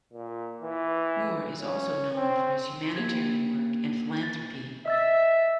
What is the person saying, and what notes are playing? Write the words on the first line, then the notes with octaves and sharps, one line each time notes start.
Moore is also known for his humanitarian work and philanthropy.
A#2
E3
C#4
C4
A#3 G4 G#6
A6
D#5 E5 E6 A6